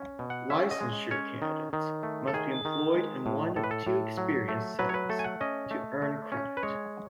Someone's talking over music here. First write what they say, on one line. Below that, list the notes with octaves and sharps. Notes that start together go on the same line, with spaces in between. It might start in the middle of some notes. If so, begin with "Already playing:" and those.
Licensure candidates must be employed in one of two experience settings to earn credit.
Already playing: C#4
B2
F#5
C#4 E5
D#5
G#3
C#4 C#5
D#3
D#3
A3
A4
D#3 G#4
D#3
G#3
A2
A2 A4
B4
A4
A2
F#3
A3
F#3 B4
C#5
B4
A3 A4
G#5
F#5
C#4 D#5
A3
A3
C#4
B4
G#3 C#5